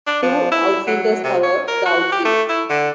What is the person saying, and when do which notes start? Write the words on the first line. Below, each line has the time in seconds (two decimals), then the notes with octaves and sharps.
Two "outfielders" cover the outfield.
0.07 D4
0.22 F3
0.52 E4
0.87 F#3
1.24 C3
1.43 C#5
1.68 A#4
1.86 F#4
2.12 G4
2.25 A3
2.49 E4
2.70 D3